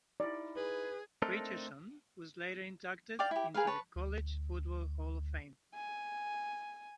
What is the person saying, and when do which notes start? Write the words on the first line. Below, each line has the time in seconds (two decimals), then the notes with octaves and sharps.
Richardson was later inducted into the College Football Hall of Fame.
0.20 D#4 E4 D5
0.56 G#4 B4
1.22 A3 C4 D4 D#4 A4 A#4
3.19 D5 F5 G5 D6
3.31 E4 G4
3.54 G#4 A#4 B4 F5
3.67 B4 C#5 A5
3.96 D2
5.75 G#5